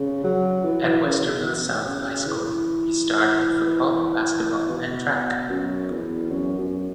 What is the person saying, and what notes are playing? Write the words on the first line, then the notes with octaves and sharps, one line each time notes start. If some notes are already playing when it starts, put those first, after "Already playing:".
At Westerville South High School, he starred in football, basketball, and track.
Already playing: C#3
F#3
E3
E3
C#3
B2
B2
C#3
E3
B2
F#2
E2
F#2
F#2